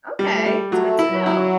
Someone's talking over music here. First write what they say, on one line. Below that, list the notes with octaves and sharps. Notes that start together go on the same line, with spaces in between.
Okay. It's good to know.
G3
A3
G3
F#3 A3
E4
F#3
E4